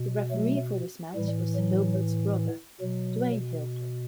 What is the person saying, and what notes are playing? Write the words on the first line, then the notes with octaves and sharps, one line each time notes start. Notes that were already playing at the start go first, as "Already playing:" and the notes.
The referee for this match was Hildreth's brother, Dwayne Hildreth.
Already playing: B2
F#3 A3
A2 E3 G3
F#3
B2 F#3